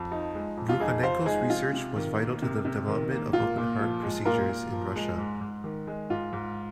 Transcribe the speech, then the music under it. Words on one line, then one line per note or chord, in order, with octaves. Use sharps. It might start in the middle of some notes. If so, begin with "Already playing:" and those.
Brukhonenko's research was vital to the development of open-heart procedures in Russia.
Already playing: F2
F3 D#4
G#3
F2
F4
F2 D#4 G#4
F3 C5 F5
G#3 D#4 G#4
C3 F4
C3
D#3
A#3
C3
C3
D#3
A#3
A#2 F4
A#2
F3
G#3
A#2 F4 A#4
A#2
F3
G#3
G#2
G#2
D#3
G#3
G#2 F4
G#2